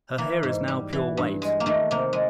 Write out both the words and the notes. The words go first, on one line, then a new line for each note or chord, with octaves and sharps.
Her hair is now pure white.
E3 A#3
G#2
G3
E3
G2
G#3
A#3
D#3 A3
C3 A#3
G#3